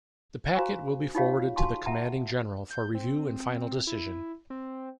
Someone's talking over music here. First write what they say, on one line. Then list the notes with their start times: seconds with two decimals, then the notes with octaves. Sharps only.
The packet will be forwarded to the Commanding General for review and final decision.
0.55 F#4 C5 F5 G#5 A#5 C#6
1.15 D#4 F4 G4 C#5 F5
1.56 F#4 F5 G#5 A5 C6 C#6
1.86 E5 F#5 A5 A#5
2.71 G6
2.95 C4
3.87 E4
4.50 C4